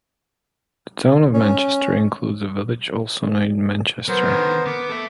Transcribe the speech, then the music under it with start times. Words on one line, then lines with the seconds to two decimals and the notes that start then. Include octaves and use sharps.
The Town of Manchester includes a village also named Manchester.
1.34 C#4
4.08 F#3 B3 A#4 C5
4.26 D3 D#3
4.66 B3 D6
4.89 A4 E5